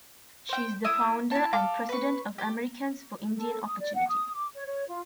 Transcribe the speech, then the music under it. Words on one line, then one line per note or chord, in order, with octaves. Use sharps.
She is the founder and president of Americans for Indian Opportunity.
C5 G5
E4 E5 D#6
E4 A5
A4 F5 D6
B4 C#6
G4
A4
D#6
D5
F#5
D#6
D6
C#5
C#5
F4